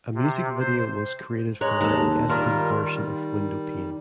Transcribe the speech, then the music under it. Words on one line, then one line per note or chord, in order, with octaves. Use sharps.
A music video was created for an edited version of "Windowpane".
C3
C5
G#3 C#5 A#5 F#6
D#2 A4
D#3 G3 F4 A#4
G3